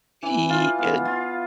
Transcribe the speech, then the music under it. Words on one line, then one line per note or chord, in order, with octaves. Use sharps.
Ye uh,
E3
F4
B3
F4